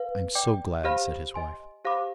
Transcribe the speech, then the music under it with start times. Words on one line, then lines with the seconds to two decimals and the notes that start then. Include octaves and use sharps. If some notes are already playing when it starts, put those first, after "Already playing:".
"I am so glad," said his wife.
Already playing: B4 F5
0.35 D5 G5 D6
0.84 G4 C5 F5 B5 F6
1.34 D#5 G#5 C6
1.85 G4 C5 F5 B5 D6